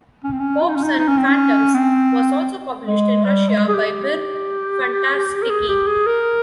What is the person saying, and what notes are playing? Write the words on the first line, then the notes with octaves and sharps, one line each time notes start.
"Popes and Phantoms" was also published in Russia by "Mir Fantastiki".
C#4
C4
C#4
F4
D#4
C#4
D#4
D#4
C#4
C4
C#4
C4
G#3
G3
G#3
G#4
G4
A#4
G#4
G4
G#4
A#4